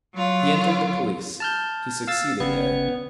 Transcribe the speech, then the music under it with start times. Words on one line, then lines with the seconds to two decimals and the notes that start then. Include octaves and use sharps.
He entered the police; he succeeded there.
0.13 F#3 F4
1.40 A5 F6 G6
2.07 F5 E6 A6
2.40 G1 C#3 B3 C#4